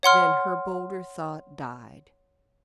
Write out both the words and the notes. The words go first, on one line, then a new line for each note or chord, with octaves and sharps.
Then her bolder thought died.
C#5 F#5 C6 F6